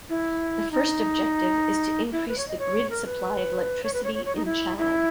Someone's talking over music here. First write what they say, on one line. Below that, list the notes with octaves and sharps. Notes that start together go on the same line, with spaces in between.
The first objective is to increase the grid supply of electricity in Chad.
E4
D#4
E4
B4
C#5
D#5
C#5
A#4
B4
C#5
B4
C#5
C#5
C#5
D#4
E4
E4